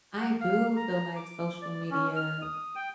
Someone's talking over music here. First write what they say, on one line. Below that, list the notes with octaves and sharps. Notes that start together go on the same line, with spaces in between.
I do feel like social media
F#5
F5
A#5
D6
D5
C#4
F6
D#6
G5